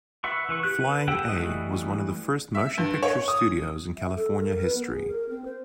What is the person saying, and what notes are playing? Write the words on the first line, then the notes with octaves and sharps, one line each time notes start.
Flying A was one of the first motion pictures studios in California history.
B4 E5 F#5 C#6
E3 B4 C#6
G4 F#6
B4
G4 A4 B4 F#5 G5
E3 G3 A3 F#4 D#5
E5
G2
C#5
D#6
E5
A4
A#4
B4
B3
G#4
A#4
C4
C5